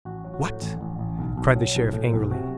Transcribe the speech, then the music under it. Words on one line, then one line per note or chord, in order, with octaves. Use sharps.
"What?" cried the Sheriff angrily.
A1 F#4
F#3
F#4
A2
A1
A1
A1
B1
B1
F#3
B1
A2
B1
C3 F#4